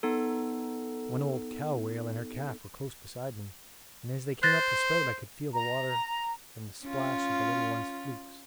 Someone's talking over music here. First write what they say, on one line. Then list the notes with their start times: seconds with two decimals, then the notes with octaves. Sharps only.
One old cow whale and her calf were close beside me, and as they came up to spout I could feel the water from the splash of the little one's flukes.
0.03 B3 D#4 A4
4.43 C5 F#6 A6 A#6
5.54 A#5
6.84 C#4 F4